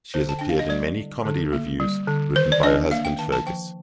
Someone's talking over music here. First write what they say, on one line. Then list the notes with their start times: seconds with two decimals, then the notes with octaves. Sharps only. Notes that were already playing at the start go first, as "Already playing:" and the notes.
She has appeared in many comedy revues written by her husband Fergus.
0.14 D3 C5
0.29 A5
0.39 D4 G5
0.49 F5
0.59 D#5
0.69 G3 D5
0.97 D3
1.25 D3
1.53 A#3
1.80 G3
2.08 D3
2.36 D#3 C5
2.52 D5
2.63 D4 D#5
2.91 A#3 F5
3.05 G5
3.18 D#3 A5
3.32 A5
3.46 F3 G5